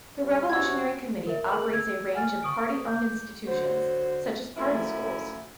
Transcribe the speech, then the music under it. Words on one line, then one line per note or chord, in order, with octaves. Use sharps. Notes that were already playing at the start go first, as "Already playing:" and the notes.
The Revolutionary Committee operates a range of party-owned institutions, such as party schools.
G2
C3 B3 C#4 F#4 E6 G#6
A#4 E5
G#4 A#4 B4 D6 F#7
E6 G#6
F#5 G#5 F6 A6
C#6 D#6 D7
D6 G6
D3 F#3 F#4 C5
F#2 D#3 F3 A3 E4